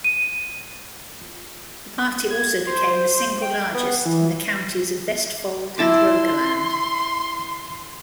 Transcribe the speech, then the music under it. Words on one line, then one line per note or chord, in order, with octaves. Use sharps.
The party also became the single largest in the counties of Vestfold and Rogaland.
D#7
G#6
C5
G5
B3
E3
E4 A5 C6 D6